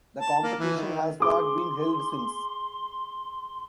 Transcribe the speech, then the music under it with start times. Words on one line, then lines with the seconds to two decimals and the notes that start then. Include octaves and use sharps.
The competition has not been held since.
0.21 A5
0.43 A#3
0.59 E3
0.77 D#3
1.20 G#4 C6 D6